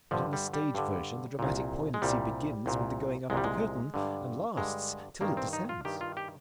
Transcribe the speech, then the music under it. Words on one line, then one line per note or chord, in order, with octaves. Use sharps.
But in the stage-version the dramatic poignancy begins with the going up of the curtain, and lasts till it descends.
G2 D3 F3
G3
G3
G2 D3
C2 A#2
G#3
C2 A#2 G3
C2 A#2
C2 A#2 G3 G#3
G#3
G2 D3
G2 D3 G#3
G2 D#3 A#3
C4
D#4
F4
G2 D#3 G4
F4
G4